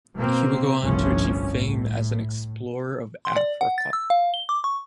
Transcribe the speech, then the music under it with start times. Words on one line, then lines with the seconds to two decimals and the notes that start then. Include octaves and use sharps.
He would go on to achieve fame as an explorer of Africa.
0.16 B2 A#3 C4
0.81 G1 C2 A2 F3 C#4
1.50 A2
3.25 C6
3.36 D5
3.61 F#5
3.78 A6
3.93 E6
4.10 F5
4.34 G7
4.49 D6
4.64 C#6